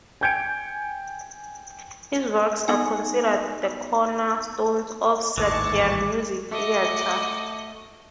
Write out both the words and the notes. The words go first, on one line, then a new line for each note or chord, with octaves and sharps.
His works are considered the corner stones of Serbian music theatre.
G5 G#5 G6 G#6 C#7 D7
B3 D#4 A4 G#5
A1 D#2 G#2 E3 G#3 A5 C#6 D6
A3 F#4 D#5 D6